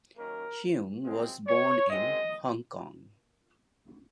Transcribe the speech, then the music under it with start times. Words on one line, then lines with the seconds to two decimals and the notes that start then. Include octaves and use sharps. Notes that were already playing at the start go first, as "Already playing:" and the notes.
Cheung was born in Hong Kong.
0.16 F#2 D#3 A#3 C#4 A#4
1.03 F#2 F3 G#3 C4
1.46 C#5
1.89 F#2 D#3 G#3 C4 D#5